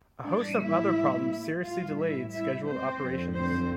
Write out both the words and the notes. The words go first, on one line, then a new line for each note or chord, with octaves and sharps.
A host of other problems seriously delayed scheduled operations.
A2 E3 G3 D4 D5
E4 E5
A2 E3 G3 F4 F5
E4 E5
E4 E5
C4 C5
F2 D3 F3
C4 C5